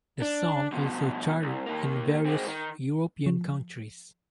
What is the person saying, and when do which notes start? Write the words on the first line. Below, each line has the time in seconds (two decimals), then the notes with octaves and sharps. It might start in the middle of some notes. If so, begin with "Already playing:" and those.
The song also charted in various European countries.
0.22 D4
0.72 B2 F3
1.42 C2
1.66 D#2 A#3
2.26 G#3 C4
2.48 D#3
3.26 F3